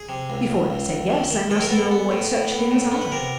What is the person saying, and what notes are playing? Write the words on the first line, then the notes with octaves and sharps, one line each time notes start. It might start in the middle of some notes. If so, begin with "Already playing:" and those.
"Before I say yes I must know what such things are."
Already playing: G#4
C3
C#2
C#2
C#2
C#2
D#3
D#3
A2 A4
A#4
B3 A4
B3
A2
A2
B3
A2
B3
B4
C3 A#4